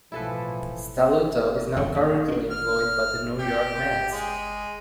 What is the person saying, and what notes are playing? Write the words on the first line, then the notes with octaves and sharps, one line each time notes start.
Stelluto is now currently employed by the New York Mets.
B1 A2 E3 F3 E4 A4 B4
D1 F2 B2 D3
D#2
C#4 D4
F6
G4
G#3